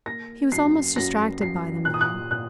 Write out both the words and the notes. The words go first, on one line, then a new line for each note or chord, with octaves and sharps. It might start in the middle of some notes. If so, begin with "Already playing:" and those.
He was almost distracted by them now.
A#3 A#6
F#2 C7
F#2 A#6
F#2 C7
A#2 F#6
D#6
F#6
A#2 F#6